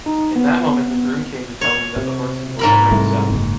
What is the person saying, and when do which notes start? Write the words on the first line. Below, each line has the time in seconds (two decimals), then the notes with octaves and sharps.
In that moment the groom came to tell him that the horses were already saddled.
0.06 D#4
0.36 B3
1.61 C#5
1.96 C3
2.59 G#2 A#4 B5
2.91 C2 A3
3.30 F#1